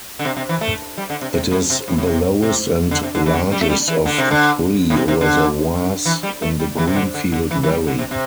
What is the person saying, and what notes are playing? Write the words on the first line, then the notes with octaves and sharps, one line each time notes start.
It is the lowest and largest of three reservoirs in the Greenfield Valley.
D3
C3
C3
E3
A3
G3
D3
C3
C3
A2
C3
A2
A2
C3
C3
D3
C3
D3
E3
D3
G3
A3
G3
E3
D3
C3
D3
A2
C3
C3
D3
E3
G3
A3
G3
E3
C3
D3
D3
D3
E3
E3
G3
D3
C3
C3